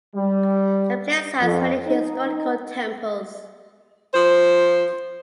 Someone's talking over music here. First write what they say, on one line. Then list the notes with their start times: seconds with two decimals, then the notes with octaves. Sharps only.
The place has many historical temples.
0.15 G3
1.41 F2
1.86 D#4
4.14 F3 C5